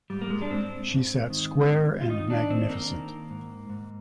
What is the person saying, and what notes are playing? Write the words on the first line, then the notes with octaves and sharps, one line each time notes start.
She sat square and magnificent.
G#2 G3
A#3
G#3
D4
G#2 C4
G#2
D#3
G#2
F4
D#3 D#4
D4
D#3 C4
A#3
D#3
G#2
G#2